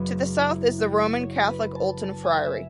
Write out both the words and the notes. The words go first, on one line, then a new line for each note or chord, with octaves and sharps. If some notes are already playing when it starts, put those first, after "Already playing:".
To the south is the Roman Catholic Olton Friary.
Already playing: F#1 F#2 C#3 G#3 C#4 B4
E4
F#4
C#5
B4
A5
A5
G#5
E5